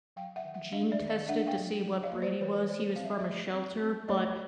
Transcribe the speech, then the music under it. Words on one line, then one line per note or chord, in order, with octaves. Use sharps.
gene tested to see what breed he was, he was from a shelter, but
F#3 F5 G5
E5 F#5
D#3
E5 F#5
D4 D#5 F5
D5 E5
D#3
D#5 F5
D4 E5 F#5
F5 G5
F#3
F#3
D#5 F5
A#3
C5 D5
E3 B4 C#5
E3 C5 D5
C4 F5
E5
D#5
D5 E5
A3
C4
C4
A3 C#5 D#5